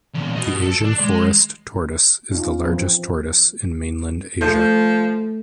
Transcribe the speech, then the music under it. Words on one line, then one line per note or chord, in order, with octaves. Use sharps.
The Asian forest tortoise is the largest tortoise in mainland Asia.
E2 A#2
F#4 D#5
A4
D4
G#3
C#4 D#4 F4
E3 F3 C4
F3 A3